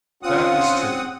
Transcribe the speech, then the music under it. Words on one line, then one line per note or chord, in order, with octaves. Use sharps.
That is true.
C4 C#4 F4 F#5 D#6